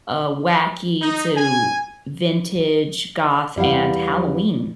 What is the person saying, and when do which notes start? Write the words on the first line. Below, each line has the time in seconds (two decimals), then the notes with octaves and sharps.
uh, wacky to vintage, goth, and Halloween.
1.01 D#4
1.35 G#5
3.57 E2 G3 E4 F5 F#5